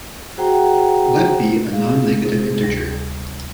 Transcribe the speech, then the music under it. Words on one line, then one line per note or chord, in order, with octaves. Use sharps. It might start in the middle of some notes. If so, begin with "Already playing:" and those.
Let be a non-negative integer.
F#4 G#4 C5 F#5 G5 A#5
G#4 F5
C3
D2 G3